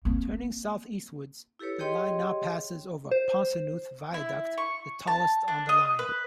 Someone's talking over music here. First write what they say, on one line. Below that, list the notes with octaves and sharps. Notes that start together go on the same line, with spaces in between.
Turning south-eastwards, the line now passes over Ponsanooth Viaduct, the tallest on the line.
A#3 C4
E4 G4 A4 B4 C#5
G4 G#4 C#5 D#5 G5 C6
C5
E4
C#6
A5
D4
D#5
B4